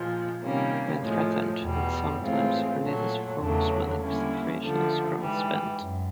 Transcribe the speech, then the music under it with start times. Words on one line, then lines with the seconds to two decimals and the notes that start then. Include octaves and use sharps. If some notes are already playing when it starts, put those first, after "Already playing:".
When threatened, it sometimes releases foul smelling secretions from its vent.
Already playing: A#2 F3 G#3
0.41 C3 D#3 G3 A#3 C#4
1.01 A2 F3 G#3
1.61 E2 B2 G3
2.20 A2 E3 G#3 C4 F4
2.80 A#2 F#3 A3
3.41 E2 C#3 F#3 A3 D4
4.00 D3 G3 A#3 C#4 E4
4.60 D3 F3 A3
5.20 G#2 E3 G3
5.80 F#2